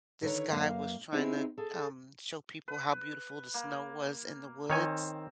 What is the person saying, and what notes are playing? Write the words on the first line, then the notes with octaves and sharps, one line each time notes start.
this guy was trying to, um, show people how beautiful the snow was in the woods,
D3 D#3 B4 C#5 A#5
F#2 A#3 F5
B3 C4 D#4 E4 G4 G#4
G#4 A4
B4
A#3
D#3 C4 C#5 G#5